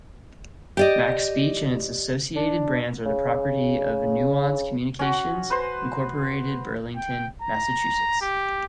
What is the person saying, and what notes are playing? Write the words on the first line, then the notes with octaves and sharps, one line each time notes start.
MacSpeech and its associated brands are the property of Nuance Communications, Incorporated Burlington, Massachusetts.
G4 D5 D#5
D4
C#3
C#4 F#4
B4 C5 C6
G5
A#5
G4